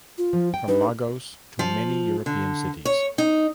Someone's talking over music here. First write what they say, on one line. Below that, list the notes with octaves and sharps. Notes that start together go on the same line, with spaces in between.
From Lagos to many European cities.
F4
F3
G5
D4 D#4 G4 B4
F3
D3
C#5
D#4